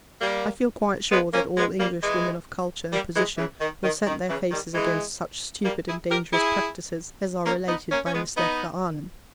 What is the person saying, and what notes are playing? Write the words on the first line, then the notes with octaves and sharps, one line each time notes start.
I feel quite sure that all English women of culture and position will set their faces against such stupid and dangerous practices as are related by Miss Leffler-Arnim.
G3 A#3
G#3 B3
A#3 C#4
G#3 B3
G3 A#3
E3 G#3
G3 A#3
E3 G#3
C#3 E3
D#3
D#3
D#3
C#3 E3
D#3 G3
E3 G#3
G3 A#3
E4 G#4
G4 A#4
E4 G#4
A#3 C#4
B3 D#4
A#3 C#4
C#4
G#3 B3
B3 D#4